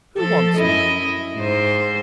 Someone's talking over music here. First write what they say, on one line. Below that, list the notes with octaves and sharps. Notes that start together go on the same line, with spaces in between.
"Who wants me?"
F3 A4
F#2 E4 D#5
G#2 C5